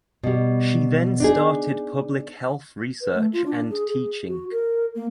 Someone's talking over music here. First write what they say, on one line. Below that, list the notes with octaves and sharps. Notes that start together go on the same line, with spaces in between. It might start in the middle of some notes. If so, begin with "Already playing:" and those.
She then started public health research and teaching.
B2 G3
D4 D#4 G#4
B4
A3
F4
D4
G#4
G#4
F#4
A#4
A#3